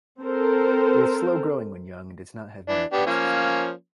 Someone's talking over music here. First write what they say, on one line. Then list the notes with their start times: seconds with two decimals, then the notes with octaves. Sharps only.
It is slow growing when young, and does not have many pests.
0.21 C4 A4 A#4 C5
2.68 E3 D4
2.92 B3 D4 G4
3.06 F3 A#3 C#4